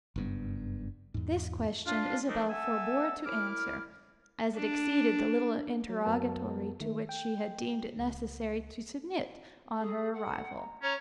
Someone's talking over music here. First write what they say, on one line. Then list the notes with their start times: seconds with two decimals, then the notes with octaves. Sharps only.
This question Isabel forbore to answer, as it exceeded the little interrogatory to which she had deemed it necessary to submit on her arrival.
0.16 F#1 G2 B3
1.14 E2 G#2
1.86 D4 F4
2.28 D#3 F3 F#3 A3 D4 D#4
2.50 E5 F#5 G#5 A5 E6
3.26 F#2 E4 D6 F6
4.56 D4
5.89 F#3
6.05 F#2 F#3 B3 A#4 A5
6.80 D#3 A3
7.09 G5
7.99 C#2
9.81 G#4 A4
10.14 F#5
10.56 A#5
10.82 C#4 C#5 A#5